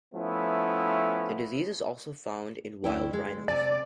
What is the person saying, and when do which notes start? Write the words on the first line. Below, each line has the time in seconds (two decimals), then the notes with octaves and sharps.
The disease is also found in wild rhinos.
0.13 F3 A3 B3 C#4 E4
2.84 D2 E4 G5
3.13 G#3
3.48 C3 D5 G#5 A5